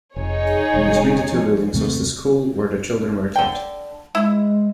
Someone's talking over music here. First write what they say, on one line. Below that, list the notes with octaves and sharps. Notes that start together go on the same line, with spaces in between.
Between the two buildings was the school where the children were taught.
F1 D#4 G#4 C#5
E1 G#3
F3
D#2 C3 A3
D3 G5
G#3 E4